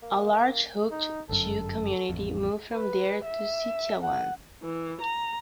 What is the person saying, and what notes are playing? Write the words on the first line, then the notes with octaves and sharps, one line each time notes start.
A large Hock Chew community moved from there to Sitiawan.
A#3
D#4
G1 F#2 A4
A1 F2
B4
E5
F#5
E3
A#5